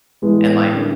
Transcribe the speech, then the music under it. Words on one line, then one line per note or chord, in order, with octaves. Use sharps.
and, like,
A2 E3 G#3 B3
D3 G3 A#3 C#4 E4